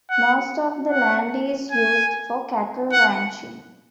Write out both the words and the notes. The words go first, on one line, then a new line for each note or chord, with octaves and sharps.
Most of the land is used for cattle ranching.
F#5
F#5
G#5
F#5